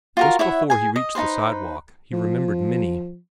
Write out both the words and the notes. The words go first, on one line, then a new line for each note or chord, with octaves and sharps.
Just before he reached the sidewalk, he remembered Minnie.
F4 F#4 A#4
E4 C#5 E5 F#5
G#4 G#5
D#5
D#4 F#4 B4 C5
F3